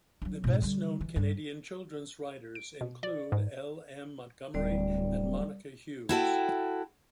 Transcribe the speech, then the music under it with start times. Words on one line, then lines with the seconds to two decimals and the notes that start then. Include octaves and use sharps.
The best-known Canadian children's writers include L. M. Montgomery and Monica Hughes.
0.22 F#3 D4
0.44 G#2 B2
0.62 D3 G3
1.01 E3
1.16 G2
2.55 D7
2.81 B2
3.03 D5
3.32 G#2
4.54 D1 G3 D5
6.09 E4 F#4 A4 G5